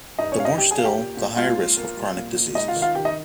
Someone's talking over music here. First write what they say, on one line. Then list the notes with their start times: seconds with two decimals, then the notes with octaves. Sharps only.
The more still, the higher risk of chronic diseases.
0.19 G2 D#4 D#5
0.32 C#4 C#5
0.38 G2 F5
0.45 D#4 D#5
0.58 G2 G4 G5
0.71 G#4 G#5
0.78 A#3 F5
0.84 G4 G5
0.98 A#2
1.17 A#2
1.37 G#3 F4 F5
1.57 A#2
1.77 A#3
1.96 G3
2.16 A#2
2.36 A#2
2.55 G#3 D#4 D#5
2.68 F4 F5
2.76 D#3
2.82 F4 F5
2.95 D#3 G4 G5
3.05 D#4 D#5